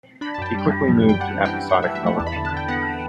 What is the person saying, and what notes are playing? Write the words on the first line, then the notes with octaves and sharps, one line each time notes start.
He quickly moved to episodic television.
D4 B5
A5
F#2 G5
A5
G3 G5
G3
G3
F#2
G5
D4 F#5
E3
G5
E3
F#2 F#5
E5
E3
E5
E3 F#5
E2 A5
B5
A5
D3
A5
D3 G5
B3 F#5